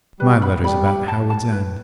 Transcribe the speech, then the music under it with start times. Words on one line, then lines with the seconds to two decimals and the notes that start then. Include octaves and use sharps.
My letter's about Howards End.
0.20 G3 B4
0.42 B5
0.64 G3 B5
0.86 B5
1.08 A5
1.30 A5
1.52 B4